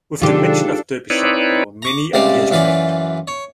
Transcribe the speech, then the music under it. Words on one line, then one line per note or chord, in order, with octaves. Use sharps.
With the mention of Derbyshire there were many ideas connected.
G#2 C3 D#3 F#3 D4 F4 G4 A4
C4 D#4 E4 B4 C#5 D5
A#5 C#6 D6
C#2 C3 G3 D5 F5
F#2 E3 F4 B4 D5
C#5